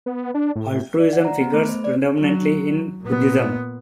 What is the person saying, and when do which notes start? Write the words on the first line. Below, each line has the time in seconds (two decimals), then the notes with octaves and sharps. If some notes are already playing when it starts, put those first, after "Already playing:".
Altruism figures prominently in Buddhism.
0.06 B3
0.34 D4
0.56 A2
0.99 D5
1.13 F#5
1.25 A#5
1.41 B3
1.54 A3
1.69 C5
1.84 D5
2.19 F#3
3.02 A#2 B3